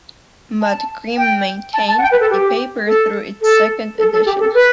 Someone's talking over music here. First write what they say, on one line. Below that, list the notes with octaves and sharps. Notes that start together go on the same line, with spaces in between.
Matt Griem maintained the paper through its second edition.
A5
G5
A5
A5
F#5
G5
B4
A4
G4
A4
A4
A4
A4
G4
A4
B4